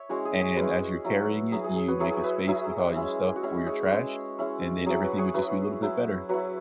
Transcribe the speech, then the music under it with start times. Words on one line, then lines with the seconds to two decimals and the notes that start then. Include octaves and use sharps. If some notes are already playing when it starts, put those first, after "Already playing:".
and as you're carrying it, you make a space with all your stuff or your trash, and then everything would just be a little bit better.
Already playing: C#5 E5
0.09 G#3 C#4 E4 F#4
0.25 G#4
0.40 G#4 C#5
0.57 G#3 C#4 E4 F#4 B4
1.04 F#3 E4
1.52 F#3 E4 G#4
1.64 G#4
1.76 G#4
1.88 F#4 B4
1.99 F#3 E4 G#4 C#5
2.24 B4 E5
2.47 F#3 E4 G#4
2.96 G#3 C#4 E4
3.36 F#4
3.43 G#3 C#4 E4 G#4
3.66 G#4 C#5
3.91 G#3 C#4 E4
4.39 G#3 C#4 E4
4.86 F#3 E4 G#4
5.02 F#4 B4
5.19 G#4 C#5
5.34 F#3 E4 F#4 B4
5.82 F#3 E4
6.29 F#3 E4 F#4 B4